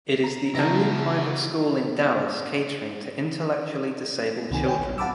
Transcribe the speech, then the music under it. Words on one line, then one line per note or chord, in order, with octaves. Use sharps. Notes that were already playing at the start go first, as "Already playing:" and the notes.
It is the only private school in Dallas catering to intellectually disabled children.
A#5
C#3 B3 D#4 E4 F#4 A5 A#5 F6
C#2 C3 D#3 G#5
C#5 G5 G#5
A#1
F5 F#5 A5 B5 D6 E6